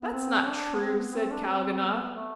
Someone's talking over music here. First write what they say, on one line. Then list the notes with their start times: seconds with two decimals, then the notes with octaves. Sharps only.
"That's not true," said Kalganov.
0.03 B3
0.12 C4
0.46 D4
0.74 B3
0.81 C4
0.97 B3
1.15 C4
1.31 D4
1.48 C4
1.82 B3
2.16 A3